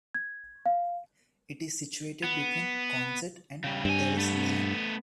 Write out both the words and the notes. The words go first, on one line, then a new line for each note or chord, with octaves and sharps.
It is situated between Consett and Delves Lane.
G#6
F5
B3
C#3 G3
G2 C4 G#5
A3 B3